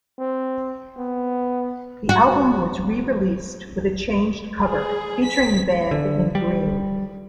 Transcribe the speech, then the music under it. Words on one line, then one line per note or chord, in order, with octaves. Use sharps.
The album was re-released with a changed cover, featuring the band in green.
C4
B3
F#4
G#4
B6
D3
G3